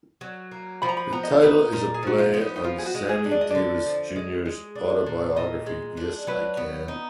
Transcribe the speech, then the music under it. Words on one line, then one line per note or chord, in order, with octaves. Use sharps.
The title is a play on Sammy Davis, Junior's autobiography "Yes, I Can".
F#3
A#3
F3 B5
A#5
B5
B3 A#5
D#5
D5
D#4 B4
A#2 A#4
G#4
F3 F#4
F4
B3
D#4
D#4
F3 F4
G#4
F#4
G#3
G#4
D4
D5
D#5
D3 D5
F3
G#3
G#3
D4
A#2
A#2 D#5
G#3
D4
F#3 B4
B3
D#4